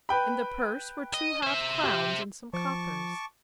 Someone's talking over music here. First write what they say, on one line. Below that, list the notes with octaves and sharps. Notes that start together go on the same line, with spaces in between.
In the purse were two half-crowns and some coppers.
B4 G5 B5
D#5
C5 E5
G4
F3 A5 C#6 D6